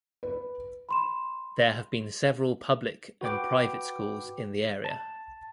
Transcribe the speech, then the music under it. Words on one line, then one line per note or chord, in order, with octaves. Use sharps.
There have been several public and private schools in the area.
B4
B5 C6 E7
F#4 B4 G5 D6
A5